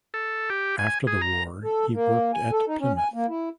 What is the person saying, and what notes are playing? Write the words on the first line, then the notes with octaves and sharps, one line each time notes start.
After the war he worked at Plymouth.
A4
G4
G#5
G#4
A#5
A4
A#3
G#5
A4
D#4
C#4
G#5
A#3
E4